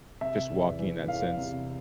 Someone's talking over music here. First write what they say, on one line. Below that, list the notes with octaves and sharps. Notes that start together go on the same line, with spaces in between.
just walking in that sense
C3 E5
E2
E3
E2 F5
C3